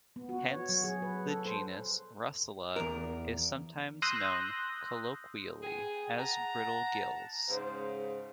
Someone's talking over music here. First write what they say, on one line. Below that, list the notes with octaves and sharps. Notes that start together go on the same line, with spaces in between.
Hence the genus "Russula" is sometimes known colloquially as "brittle gills".
B3
F#4
C#5
F#3
G#4
B4
A4
C5
E2 A#4
C6 D#6 E6 F#6 G6 A#6
B3 G#4 G5
F#5 A5 A#5
G#2 C#3 C5